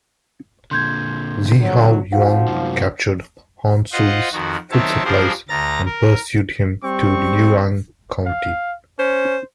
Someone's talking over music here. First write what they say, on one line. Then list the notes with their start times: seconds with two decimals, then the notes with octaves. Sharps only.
Xiahou Yuan captured Han Sui's food supplies and pursued him to Lueyang County.
0.71 A#2 D3 C6 G6 G#6
1.61 F2 F#3
2.12 G#1 F3 F#4 F5 F#5
2.48 F#2 C3
3.92 F4 C5 D#5 F#5
4.32 F2 D#3 F#4
4.71 D#3 F#3 C4 C#5 E5 A5
5.05 F3 G3 D4 G#4 A#4 C5
5.49 D2 A#5 A6 A#6
5.86 A#4
6.84 G3 C4 C#6
8.26 F5
8.99 C#4 C5